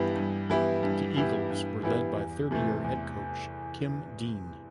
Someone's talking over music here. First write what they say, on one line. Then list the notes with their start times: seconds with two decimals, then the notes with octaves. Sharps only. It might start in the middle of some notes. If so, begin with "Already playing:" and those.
The Eagles were led by third year head coach Kim Dean.
Already playing: G2 E3 B3 E4 G4
0.16 G2
0.50 E3 B3 E4 G4
0.83 G2
1.16 E3 B3 E4 G4
1.50 G2
1.83 E3 B3 E4 G4
2.17 E2
2.51 C3 E3 A3
2.84 E2